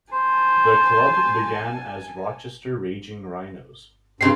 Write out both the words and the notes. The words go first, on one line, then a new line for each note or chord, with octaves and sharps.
The club began as the Rochester Raging Rhinos.
C5 G#5 A5
G2 C#3 C4 C7